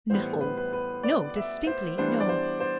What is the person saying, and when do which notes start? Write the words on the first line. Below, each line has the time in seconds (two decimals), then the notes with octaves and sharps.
"No, no--distinctly no."
0.10 A2 E3 G3 B3 C5
0.41 B4
0.57 B4
0.73 B4
1.03 D5
1.36 E5
1.67 C5
1.98 E3 G3 B3 D4 C5
2.20 D5
2.29 C5
2.60 C5